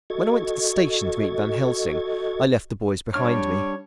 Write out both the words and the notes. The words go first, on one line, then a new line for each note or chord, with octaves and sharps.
When I went to the station to meet Van Helsing I left the boys behind me.
F#4 A4 D#5 C#6 G#6 A6
G3 D4 C#5 F6